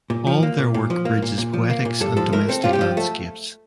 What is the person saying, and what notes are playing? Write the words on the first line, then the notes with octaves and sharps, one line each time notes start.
All their work bridges poetics and domestic landscapes.
A#2
F3
A#3
A#2
A#2
F3
A#3
A#2
A#2
F3
A#3
A#2
G2 A4
F3 A4
A3 A#4
C4 A4
G2 F4
G4
F3
A3 A4